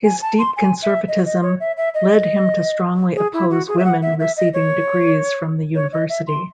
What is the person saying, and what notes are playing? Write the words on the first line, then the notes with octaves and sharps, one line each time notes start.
His deep conservatism led him to strongly oppose women receiving degrees from the University.
G#5
A5
C6
G#5
E5
D#5
D#5
C#5
E5
E5
D#5
G#4
E4
F#4
G#4
E5
F#5
E5
E5
D#5
C#5
C#5
D#5
E5
C6